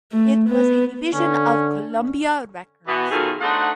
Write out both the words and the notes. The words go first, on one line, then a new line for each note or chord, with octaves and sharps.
It was a division of Columbia Records.
A3
B3
D3 C#4
B2 E3 B3
B2 D#3 F#3 F4 G#4 A4
A3 D4 D#4 C5 F#5